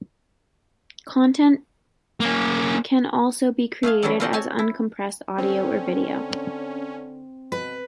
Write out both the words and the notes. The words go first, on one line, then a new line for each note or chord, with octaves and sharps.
Content can also be created as uncompressed audio or video.
A#3 C#4
A3 F4 G#4 F5
E3 F#3 G3 C#4 A4 D5
F4 F#4 A4 C5 D5 D#5
C4 C#5 G#5 A5
E4
D3 C4 C#4
B2 B4